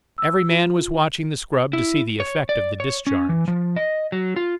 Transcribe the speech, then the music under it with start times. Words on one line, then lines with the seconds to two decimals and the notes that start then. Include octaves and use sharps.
Every man was watching the scrub to see the effect of the discharge.
0.18 E6
0.49 F4
1.73 E4
2.20 C#5
2.49 D5
2.80 C#5
3.07 C#4
3.29 E3
3.48 F3
3.76 D#5
4.12 F#3
4.36 F4